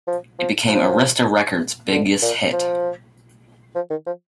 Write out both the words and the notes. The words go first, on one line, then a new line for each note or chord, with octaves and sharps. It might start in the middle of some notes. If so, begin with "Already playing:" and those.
It became Arista Records' biggest hit.
F3
F3
F3
D3
A#2
F3
F3
D#3
F3